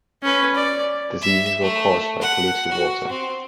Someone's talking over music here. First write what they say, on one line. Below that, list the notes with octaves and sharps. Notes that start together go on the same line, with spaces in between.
Diseases were caused by polluted water.
C#4 B4
D5
E5
A3
F#5
F#4
C4